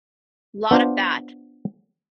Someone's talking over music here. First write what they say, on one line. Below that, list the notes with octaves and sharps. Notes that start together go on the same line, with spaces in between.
Lot of that.
B3 D4 F4 C5